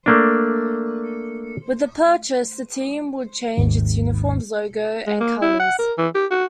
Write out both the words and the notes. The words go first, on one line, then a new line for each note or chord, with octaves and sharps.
With the purchase the team would change its uniforms, logo, and colors.
A3 A#3 D4
G#1 D#2 G#2 D#3
G#3
A#3
E4
F#5
A#4
E3
G4
F#4